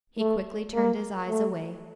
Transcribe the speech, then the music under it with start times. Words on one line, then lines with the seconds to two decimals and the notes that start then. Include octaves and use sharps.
He quickly turned his eyes away.
0.18 A3
0.73 A#3
1.29 A3